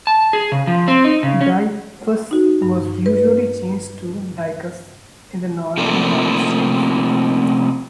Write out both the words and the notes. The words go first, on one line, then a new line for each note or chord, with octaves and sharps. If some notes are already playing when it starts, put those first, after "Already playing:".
"Deicws" was usually changed to "Dicus" in the northern United States.
A5
G#4
C#3
F3
C4
D#4
C#3
C#4
D#4 F#4
G2
B4
C3 F3 A3 A#3 D4